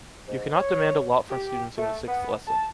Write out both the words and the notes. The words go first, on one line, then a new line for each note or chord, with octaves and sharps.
You cannot demand a lot from students in the sixth lesson.
G#2
C#5
G4
A3
B3
A5